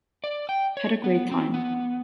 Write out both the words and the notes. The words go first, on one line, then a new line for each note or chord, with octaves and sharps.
Had a great time.
D5
G5
C#5
B3
C4
B3